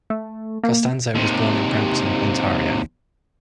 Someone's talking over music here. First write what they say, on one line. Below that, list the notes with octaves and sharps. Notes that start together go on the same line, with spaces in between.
Costanzo was born in Brampton, Ontario.
A3
A#3
D#2 C3